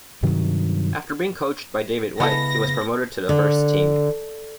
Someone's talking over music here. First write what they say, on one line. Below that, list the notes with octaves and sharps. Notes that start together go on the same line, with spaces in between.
After being coached by David White he was promoted to the first team.
G2 C3 D#3 F#3
C#3 G#3 B3 E4 A4 A#6
D3